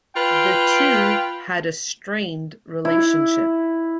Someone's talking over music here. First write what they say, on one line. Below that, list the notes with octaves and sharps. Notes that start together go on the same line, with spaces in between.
The two had a strained relationship.
F4 B4 G5
E4